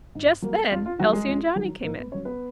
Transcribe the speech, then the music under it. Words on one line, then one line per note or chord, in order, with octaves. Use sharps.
Just then Elsie and Johnnie came in.
G#2
F#3 A#3
F2 F4
F4
D#3 F#3 F#4
G#3 G#4
F2
D#3 F#3
G#2 A#3 A#4
B3 B4
F#3 C#4 C#5
B3 B4